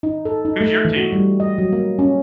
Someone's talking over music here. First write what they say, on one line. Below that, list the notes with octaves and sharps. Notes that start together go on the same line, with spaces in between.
Who's your team?
D#4
A4
D#4
A3
E3
F#4
G3
D#5
F#3
A#3
C#4